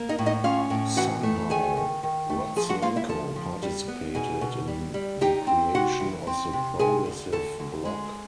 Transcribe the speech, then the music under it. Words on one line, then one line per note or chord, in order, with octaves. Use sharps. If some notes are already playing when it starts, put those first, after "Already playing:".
Somehow Rodzianko participated in the creation of the Progressive Bloc.
Already playing: A#3
D#4 D#5
A2
D#4 D#5
C#4 F4 F5
A2
E3 F#4 F#5
A3
D#3 G#4 G#5
D#3
D#3
A3
F3 G#4 G#5
F#4 F#5
A#3 F4 F5
E4 E5
F3 A4 A5
F3
G3
B3
B2 G#4 G#5
B2
G3
G3
D#4 G4 G5
C4
C3 F#4 F#5
E3
C4
C3
C3 G#4 G#5
D2
D2 A4 A5
D2
G#3